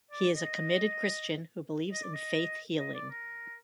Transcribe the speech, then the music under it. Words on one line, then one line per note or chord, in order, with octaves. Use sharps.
He is a committed Christian who believes in faith healing.
D5
D#5
D#5
D5
D#5
D#5
D5
A#4